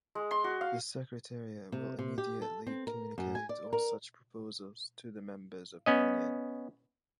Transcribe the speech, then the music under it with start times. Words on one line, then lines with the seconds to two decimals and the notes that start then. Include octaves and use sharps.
The Secretariat will immediately communicate all such proposals to the Members of the Union.
0.15 G#3
0.31 C6
0.44 F#4
0.61 F5
1.72 C3
1.99 C3
2.18 G4
2.42 A4
2.67 C4
2.87 A#4
3.18 F#2
3.35 G#5
3.49 D5
3.73 A#4
5.86 B3 C#4 D#5